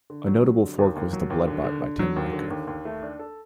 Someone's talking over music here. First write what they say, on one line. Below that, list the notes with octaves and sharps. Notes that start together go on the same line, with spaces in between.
A notable fork was blootbot by Tim Riker.
D3
F#3
F#3
D3
D#2
D#2
F#3
D#2
D3
D3
D3
F#3
D#2
D3
D#2
D#2
A3
D4
A4